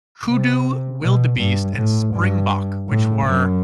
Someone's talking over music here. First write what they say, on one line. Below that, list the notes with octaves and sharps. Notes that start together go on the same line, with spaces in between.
hoodoo, wildebeest, and springbok, which were,
C3
B2
G2
A2
G2
A2
F#2